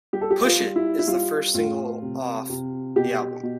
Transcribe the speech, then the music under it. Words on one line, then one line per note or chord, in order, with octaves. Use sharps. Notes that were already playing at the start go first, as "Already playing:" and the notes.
"Push It" is the first single off the album.
G3 G4
A4
G4
F4
G3
E4
E4
G3 F4
A2 F4
C3
C3
B2 G4
B2